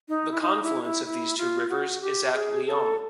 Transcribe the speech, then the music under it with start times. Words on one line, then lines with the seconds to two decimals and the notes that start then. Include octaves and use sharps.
The confluence of these two rivers is at Lyon.
0.09 D#4
0.31 E4
0.41 D#4
0.63 E4
0.84 E4
1.06 E4
1.38 F4
1.69 F#4
2.02 G4
2.34 G#4
2.66 A4